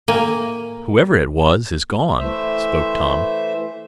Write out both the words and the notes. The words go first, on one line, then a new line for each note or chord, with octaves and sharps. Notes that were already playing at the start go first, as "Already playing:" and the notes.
"Whoever it was, is gone," spoke Tom.
A2 A#3 G5 G#5
E3 A3 C5 E5